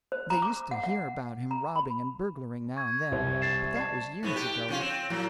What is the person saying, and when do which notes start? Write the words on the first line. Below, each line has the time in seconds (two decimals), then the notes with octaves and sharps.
They used to hear about him robbing and burglaring now and then, but that was years ago.
0.12 C5
0.30 A#5
0.42 D6
0.71 F#5
0.84 F#5
1.51 A#5
1.76 B5
2.77 C#6 G#6
3.12 C2 C3 C5
3.42 A6 C7 E7
3.76 D5 A5 C7
4.23 G#2 A3 B3
4.36 G4
4.68 C#3 C#4 F4
4.81 C4
5.10 A2 F#3